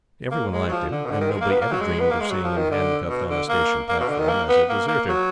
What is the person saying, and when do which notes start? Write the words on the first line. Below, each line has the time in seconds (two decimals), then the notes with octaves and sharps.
Everyone liked him; and nobody ever dreamed of seeing him handcuffed on a station platform as a deserter.
0.31 A#3
0.52 G#3
0.68 F#3
0.71 F3
0.91 D3
1.06 B2
1.11 D3
1.21 D#3
1.31 G#3
1.41 A#3
1.51 B3
1.61 A#3
1.71 F#3
1.81 G#3
1.99 B3
2.11 A#3
2.21 G#3
2.31 F#3
2.44 F3
2.57 D#3
2.71 D3
3.09 B2
3.30 D3
3.49 A#3
3.89 A#3
4.00 B2
4.09 D3
4.19 D#3
4.29 A#3
4.48 B3
4.69 A#3
4.88 A#3
5.09 F#3